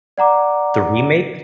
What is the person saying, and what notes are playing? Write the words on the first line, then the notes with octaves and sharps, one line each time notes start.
the remake
D5 F#5 A#5 D6